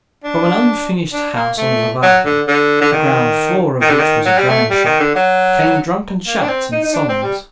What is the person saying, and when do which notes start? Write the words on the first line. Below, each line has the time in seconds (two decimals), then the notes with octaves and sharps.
From an unfinished house on the Varvarka, the ground floor of which was a dramshop, came drunken shouts and songs.
0.24 D4
1.13 D4
1.35 A#3
1.58 A3
2.02 F#3
2.25 D3
2.48 D3
2.81 D3
2.92 D#3
3.81 D#3
3.89 D3
3.99 D#3
4.25 F#3
4.38 G3
4.49 A3
4.70 G3
4.85 D#3
5.00 D3
5.15 F#3
6.27 A#3
6.41 D4
6.48 C4
6.72 D#4
6.84 D#4
6.93 D4
7.09 C4
7.23 G3